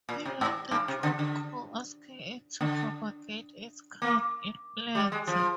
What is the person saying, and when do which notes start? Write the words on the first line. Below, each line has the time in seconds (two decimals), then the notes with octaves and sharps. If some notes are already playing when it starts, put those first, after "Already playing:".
He let the trout go, asking it to propagate its kind in plenty.
0.09 A#2
0.25 C3
0.41 G#2
0.71 G2
0.88 C3
1.03 D3
1.19 D3
2.61 D3
4.02 A#3
4.95 G3
5.12 G#3
5.27 F3